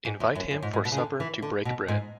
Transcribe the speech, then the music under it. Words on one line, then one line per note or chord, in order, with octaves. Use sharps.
Invite him for supper to break bread.
G#2
E2
F#2
F#2
G#2
G#2
B2
C#3
D3
E3
D3
B2
G#2